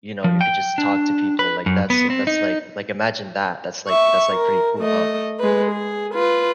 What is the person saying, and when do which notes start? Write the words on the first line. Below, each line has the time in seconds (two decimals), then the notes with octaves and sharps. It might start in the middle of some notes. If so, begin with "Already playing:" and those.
you know, you could just talk to people, like that's that's like like imagine that, that's like that's like pretty cool, huh,
0.24 F3
0.41 G5
0.78 D4
1.39 B4
1.66 F#2
1.90 B3
2.10 C4
2.27 D#4
3.88 E5 C#6
4.33 A#4
4.79 A3 D#5
5.40 G#3 B4
5.71 G#4
6.14 F4 B4